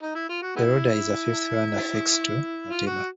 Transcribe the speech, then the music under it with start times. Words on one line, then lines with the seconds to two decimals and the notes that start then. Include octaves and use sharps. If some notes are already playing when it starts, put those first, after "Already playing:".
The rudder is a fifth runner fixed to a tiller.
0.02 D#4
0.15 E4
0.29 F4
0.42 F#4
0.56 G#3 B3 E4
2.70 F4
2.87 F#4